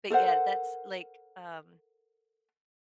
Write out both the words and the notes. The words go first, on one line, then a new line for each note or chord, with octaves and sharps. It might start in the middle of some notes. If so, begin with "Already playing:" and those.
But yeah, that's like, um
A4 A#4 C5 F#5